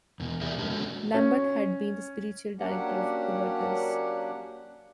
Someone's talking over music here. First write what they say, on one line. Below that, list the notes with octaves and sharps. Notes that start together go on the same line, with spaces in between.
Lambert had been the spiritual director of Hubertus.
E2 B2
G4 G#4 A#4 D5 E5
D3 G#3 C#4 D4 A#4 D#5
G#3 C#4 F#4 A4 C#5
C#4
F#3 A#3 C#4 D4 G4 F#5